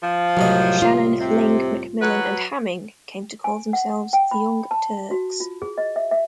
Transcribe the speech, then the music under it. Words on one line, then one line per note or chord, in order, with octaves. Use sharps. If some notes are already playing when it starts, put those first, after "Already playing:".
Shannon, Ling, McMillan and Hamming came to call themselves the Young Turks.
F3
C2 A2 F#3 D#5
F4
C3
F#3 F#4 B4
G#5
F#5
G5
B5
A5
F#4
F4
G#4
D#5
E5
E5